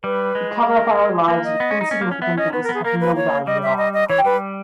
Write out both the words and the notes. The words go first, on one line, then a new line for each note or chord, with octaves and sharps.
We cover up our lives with insignificant things that have no value at all.
G3 B4
G#3
A#4
A#3 B4
D#5
B3
C#4
D#4
C#4
A#3
C#4
B3 E5
C#4 D#5
B3 B4
A#4
B3
G#4
A#3 A#4
B4
C#5
G3 D#5
E5
D#5
D#5
E3 C#5
G3 B4